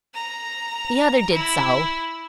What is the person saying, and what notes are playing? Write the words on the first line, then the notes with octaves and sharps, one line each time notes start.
The other did so.
A#5
E4